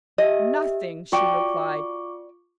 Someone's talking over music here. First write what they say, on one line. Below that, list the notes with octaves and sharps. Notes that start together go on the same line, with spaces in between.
"Nothing!" she replied.
G4 D#5 E5
F4 F#4 D5 G5 C#6 D6